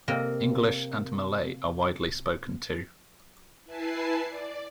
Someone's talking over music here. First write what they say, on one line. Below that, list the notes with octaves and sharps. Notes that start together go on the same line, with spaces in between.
English and Malay are widely spoken too.
C3 A#3 D#5
E4 B4 G#5 A5 C7
D5